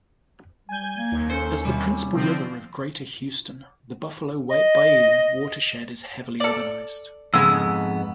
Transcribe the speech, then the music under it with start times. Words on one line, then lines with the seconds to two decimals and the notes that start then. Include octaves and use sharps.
As the principal river of Greater Houston, the Buffalo Bayou watershed is heavily urbanized.
0.69 G3 G#5 G6
0.98 A#3 G#6
1.12 D#2
1.30 C#4 A4 C5
1.65 C3 G3
2.13 D3 F3 C4
4.51 D#5
6.40 A4 D5
7.34 F2 G#2 C#3 G#3 B3 E6